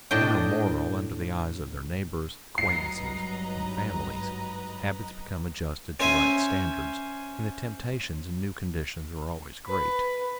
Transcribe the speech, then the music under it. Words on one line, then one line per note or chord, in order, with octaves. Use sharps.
Men are moral under the eyes of their neighbors, acquaintances, and families; habits become adjusted to right standards, and the temptations in new conditions are always great.
A2 D4 D#5 G5
G#1 G2 F#3 B4 D#5 A#5 C7
C#4 C5 E5 G#5
B4